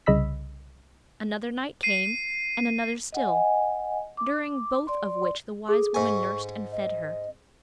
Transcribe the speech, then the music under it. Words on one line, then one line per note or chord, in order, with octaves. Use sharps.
Another night came, and another still, during both of which the wise woman nursed and fed her.
C2 C#3 D#5 B5 E6 B6
C7 D#7
D#5 F#5 G#5
D6
D5 C6
G#4 A4
G#2 G#5 C#6
D#5